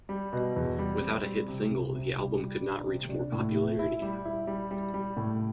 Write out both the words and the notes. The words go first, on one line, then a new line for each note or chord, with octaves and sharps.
Without a hit single, the album could not reach more popularity.
G3
B2
E2
G3
C4
G3
C3
C3
C3
G3
G3
D4
C3
D4
A2
E4
E4
G3
E4
G3
G3
G3
A2